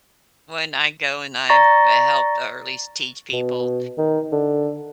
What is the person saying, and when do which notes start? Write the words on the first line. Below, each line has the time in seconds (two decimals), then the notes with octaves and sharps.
when I go and I've helped or, at least teach people
1.49 D5 A#5 C#6 A6 A#6
3.33 B2
3.98 D#3
4.32 D3